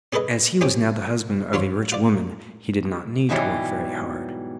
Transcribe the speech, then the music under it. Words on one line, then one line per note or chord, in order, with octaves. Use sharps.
As he was now the husband of a rich woman he did not need to work very hard.
C#4 G#4 A4 B4 D#5
C4 C#4 G4 C#5 G5 D#6
G2 D4 F4 C#5 C6
F4 D5
G#2 B2 E3 F#3 G3